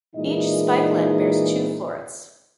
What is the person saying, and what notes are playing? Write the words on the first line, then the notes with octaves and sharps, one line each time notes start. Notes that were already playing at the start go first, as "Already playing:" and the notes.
Each spikelet bears two florets.
A#2 E3 G#3 D#4 E4 D#5